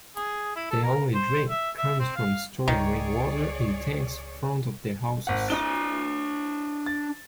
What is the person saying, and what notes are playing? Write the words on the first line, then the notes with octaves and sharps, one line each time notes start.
Their only drink comes from storing rain water in tanks front of their houses.
G#4
E4
A4
A#4
C5
E5
E5
C4
F5
C#2 D#3 G#4 C#5 D5
G#1 F#5
D4 D#5 G7
A6